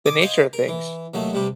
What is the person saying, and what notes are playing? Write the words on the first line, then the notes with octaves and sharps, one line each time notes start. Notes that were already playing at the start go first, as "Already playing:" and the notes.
the nature of things.
G#5 D6 D#6
C5 D#5 F5 G#5
A#4
E3
D#2 F#3 A3
G2 C3 G3